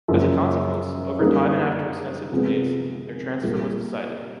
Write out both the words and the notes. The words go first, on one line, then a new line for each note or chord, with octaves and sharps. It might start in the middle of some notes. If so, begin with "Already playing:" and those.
As a consequence, over time and after extensive debates, their transfer was decided.
F#2 C#3 F3 A#3
D3 G3 A#3 D#4
C3 F3 G#3 B3
A#2 G3 A#3